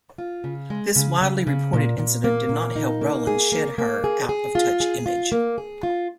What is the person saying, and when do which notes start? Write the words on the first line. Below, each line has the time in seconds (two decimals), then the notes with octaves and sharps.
This widely reported incident did not help Rowlands shed her 'out-of-touch' image.
0.18 F4
0.44 C#3
0.70 G#3
0.96 C#3
1.21 C#3
1.47 C#3
1.73 A#2
1.98 A#2
2.24 A#3
2.49 A#2
2.76 D#4
3.01 A#3
3.27 G#4
3.52 A#3
3.78 A#3
4.04 G#4
4.29 G#4
4.55 F4
4.80 G#4
5.06 F4
5.32 A#3
5.58 G#4
5.83 F4